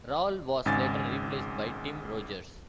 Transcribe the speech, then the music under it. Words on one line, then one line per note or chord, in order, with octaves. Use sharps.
Rawle was later replaced by Tim Rogers.
G#1 G#2 C#3 G#5 A6